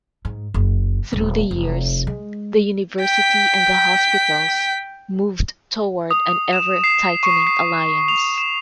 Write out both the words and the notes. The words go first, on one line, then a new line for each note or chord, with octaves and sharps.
Through the years, the University and the hospitals moved toward an ever-tightening alliance.
G#2
F#1
D#1
F1
G#3
G5 B6
D#6
D#6
E7
C7
C#6
C7
F7
E7